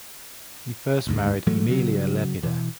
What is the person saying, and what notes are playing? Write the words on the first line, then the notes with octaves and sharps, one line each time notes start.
He first married Aemilia Lepida.
F#1 D2 G#2
A2 E3 F#3 A3
C#3 F#3
B2 E3